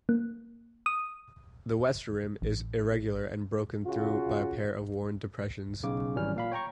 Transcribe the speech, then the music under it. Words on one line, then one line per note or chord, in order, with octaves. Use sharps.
The west rim is irregular and broken through by a pair of worn depressions.
A#3
D#6
A1
C#3 F4 F#4
B1 C#3 D6
G#1 E3 F#3 G3 C#4 F6
A#2 F5 B5
C#5 G5 A#5 C#6